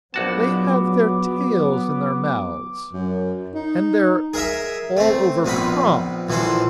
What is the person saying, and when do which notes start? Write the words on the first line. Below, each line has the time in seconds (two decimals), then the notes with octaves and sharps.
'They have their tails in their mouths--and they're all over crumbs.'
0.14 A#1 F#3 B3 F#4 A5 D6
2.93 F#2
3.53 D#4
4.34 G#4 A#4 D#5 E5
4.97 A3 C4
5.45 A#1 B3 C4 D#4 B5
6.29 A#1 E3 D#4 A4 C5